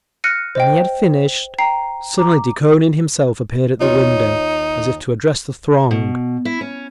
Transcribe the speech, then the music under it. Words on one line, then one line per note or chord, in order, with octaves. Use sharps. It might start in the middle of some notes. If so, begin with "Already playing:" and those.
When he had finished, suddenly Dukhonin himself appeared at the window, as if to address the throng.
F6 F#6 A#6 C#7 D#7
C5 D#5 G5
G5 A#5 C7
A#5 D6
D#2 D#4 F4 C#5
B2
E4
C#4